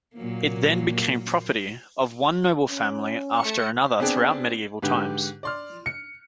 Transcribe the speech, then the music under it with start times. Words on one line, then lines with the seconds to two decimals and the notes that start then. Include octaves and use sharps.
It then became property of one noble family after another throughout medieval times.
0.15 A#2 F#3 A#3
2.70 C#4
3.40 A3 C#7
4.00 B3 C4 D4 G#4 G5
4.82 G#2 D3 G4 B4
5.43 D5 C6 F6
5.86 C#7